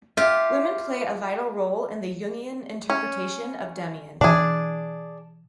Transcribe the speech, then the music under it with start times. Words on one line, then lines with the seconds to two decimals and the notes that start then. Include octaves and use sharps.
Women play a vital role in the Jungian interpretation of "Demian".
0.17 F4 G4 E5
2.90 C#4
4.21 B2 E3 D4 G#4